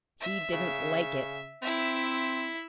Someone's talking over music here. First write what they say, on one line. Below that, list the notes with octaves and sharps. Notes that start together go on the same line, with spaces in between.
He didn't LIKE it!
E5
C#3
C4 E4 E5